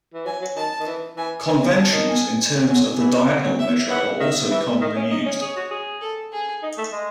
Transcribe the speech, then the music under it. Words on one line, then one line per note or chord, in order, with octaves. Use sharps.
Conventions in terms of the diagonal measure are also commonly used.
E3
F#3 G#5
F#3
D#3 A5
D#3
E3
E3 G#5
E3 G#5
F#3
F#3 A5
D#3
G#5
F#3 G#5
E3
F#3
E5
E3 F#5
D#3 E5
E3 E5
D#3
C#4
D#4 D#5
C#4
G#4 C#5
F#4
G#4
A4
G#4
D#4
A3
G#3